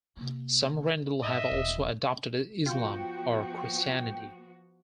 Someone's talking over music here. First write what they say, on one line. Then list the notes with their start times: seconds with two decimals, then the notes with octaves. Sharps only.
Some Rendille have also adopted Islam or Christianity.
0.17 C3 A#3
1.23 G#2 D#5 E5
1.51 E1 B2
2.66 F3 B3 F4 F#4 G5